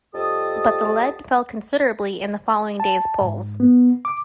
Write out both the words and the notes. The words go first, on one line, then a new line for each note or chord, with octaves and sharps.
But the lead fell considerably in the following day's polls.
F2 G3 A4 D#5 A5 D#6
A5
G#2
B3
D6